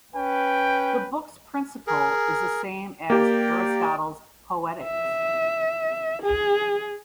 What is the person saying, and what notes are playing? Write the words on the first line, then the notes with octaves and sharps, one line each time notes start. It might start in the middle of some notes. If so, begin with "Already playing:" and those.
The book's principle is the same as Aristotle's "Poetics".
C#4 B4 G5
G#4 A#4
A#3 G4 D5 G5
E5
G#4